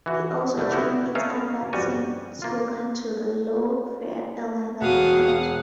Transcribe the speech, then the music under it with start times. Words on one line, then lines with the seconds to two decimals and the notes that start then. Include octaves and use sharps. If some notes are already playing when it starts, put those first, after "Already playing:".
It also changed its advertising slogan to "The Low Fare Airline That Cares".
0.06 E3 F#4
0.58 C2 D3 G3 A3
0.72 B3 C#4 E4 F#4 G4
1.15 A3 C#4 A4 A#4 D#5 F5
1.73 G1 F2 G3 F#4 C#5 G#5
2.42 A#3 F4
4.81 E1 F#4 F5 F#5 D#6